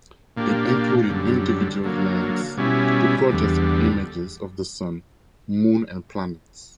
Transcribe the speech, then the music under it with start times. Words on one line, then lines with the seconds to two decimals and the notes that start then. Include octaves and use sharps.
It included individual lamps to project images of the Sun, Moon and planets.
0.37 A#2 A#3 D4 G4
1.09 F#2 D3 G3
1.84 D3 F#3 A#3
2.57 B2 G3 C#4 E4
3.30 E2 D3 G3